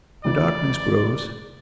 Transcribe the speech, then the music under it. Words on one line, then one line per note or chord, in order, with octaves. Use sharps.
The darkness grows.
F1 C#2 E3 D5